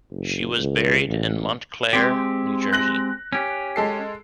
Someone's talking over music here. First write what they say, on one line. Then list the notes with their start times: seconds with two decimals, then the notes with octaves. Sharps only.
She was buried in Montclair, New Jersey.
0.11 F#1
0.57 C#2
1.07 A1
1.93 G#3 C4 G4
2.73 F#6 A#6 F#7
3.32 C#4 G4
3.76 G#3 A4 C7